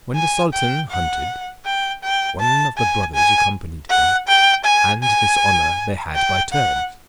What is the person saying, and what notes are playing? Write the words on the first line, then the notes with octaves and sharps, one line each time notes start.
When the sultan hunted, one of the brothers accompanied him, and this honour they had by turns.
G#5
G5
F#5
G5
G5
A5
G#5
G#5
F#5
G5
G#5
G#5
G5
F#5